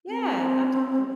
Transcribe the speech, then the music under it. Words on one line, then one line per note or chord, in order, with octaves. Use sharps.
Yeah, absolutely.
C4